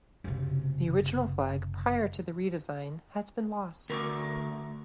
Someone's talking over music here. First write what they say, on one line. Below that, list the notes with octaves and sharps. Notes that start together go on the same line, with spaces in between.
The original flag prior to the redesign has been lost.
F#1 C3
D2 A#4 C#6 D6